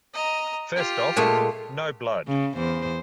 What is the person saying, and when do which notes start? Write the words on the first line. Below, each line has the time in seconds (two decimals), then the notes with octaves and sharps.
First off, no blood.
0.14 D#5 A#5
0.76 F4 G4
1.16 A#2 G#3 A3
2.27 C#3
2.56 E2 C5